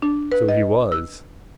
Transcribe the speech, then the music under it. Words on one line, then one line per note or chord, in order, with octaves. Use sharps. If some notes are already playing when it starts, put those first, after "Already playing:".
So he was.
D4
B4
D#5
E6